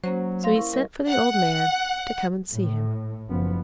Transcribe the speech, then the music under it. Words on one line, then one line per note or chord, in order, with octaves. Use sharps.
So he sent for the old man to come and see him.
F#3 A#3 C#4 C5
F5 C6 A#6
E4 A#4 C#6
G3 A#4 D#5
F#5
A2
F#1 F3 B3